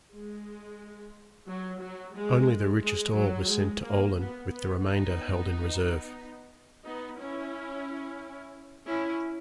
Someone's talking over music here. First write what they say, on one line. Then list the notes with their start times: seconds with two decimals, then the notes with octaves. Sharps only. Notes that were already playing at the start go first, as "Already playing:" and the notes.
Only the richest ore was sent to Olen, with the remainder held in reserve.
0.14 G#3
1.48 F#3
1.81 F#3
2.15 G#3
2.83 G#3
3.17 F#3
3.49 G#3
3.84 A#3
4.17 B3
4.50 B3
4.84 B3 D#4
6.85 B3 D#4
7.19 C#4 E4
8.86 C#4 E4